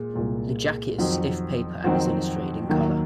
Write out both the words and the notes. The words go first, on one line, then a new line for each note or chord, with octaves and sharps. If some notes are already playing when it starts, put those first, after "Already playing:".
The jacket is stiff paper and is illustrated in color.
Already playing: A#2 G#3
C2 A#2 G#3
F2 D#3 F#3 C4 F#4
F2 D#3 F#3 C4 F#4
D#2 D#3 F#3 A#3